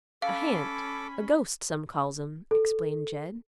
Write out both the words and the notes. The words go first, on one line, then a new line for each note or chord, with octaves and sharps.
"A hant, a ghost, some calls 'em," explained Jed.
C#4 A4 F5 B5 D6
A4